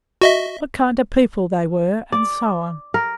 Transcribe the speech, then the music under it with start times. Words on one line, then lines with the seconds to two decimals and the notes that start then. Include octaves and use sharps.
What kind of people they were? and so on.
0.22 F#4 D#5 E5
2.12 D5
2.94 A#4